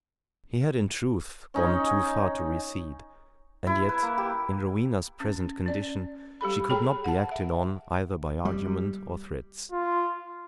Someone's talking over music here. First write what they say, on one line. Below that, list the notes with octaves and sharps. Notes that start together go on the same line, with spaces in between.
He had, in truth, gone too far to recede; and yet, in Rowena's present condition, she could not be acted on either by argument or threats.
C#4 D#4 G#4 D#5
E4
B4
A#3
G4
C#4
C#4 D5
G3 G4 A4 B5
G#4 A4 C#5 G5 A#5 B5
F#5 A5
E5
G3
F4